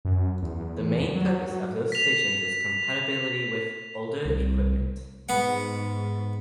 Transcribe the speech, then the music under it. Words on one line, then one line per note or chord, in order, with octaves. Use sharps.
The main purpose of those stations is compatibility with older equipment.
F#2
E2
F#3
B6 F7
C2
G#2 B3 F#5